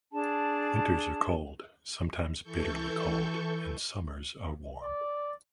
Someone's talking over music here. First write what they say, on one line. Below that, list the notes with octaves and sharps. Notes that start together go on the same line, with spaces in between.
Winters are cold, sometimes bitterly cold, and summers are warm.
D4 G#4 A5
E3 A4 C#6 G6
D5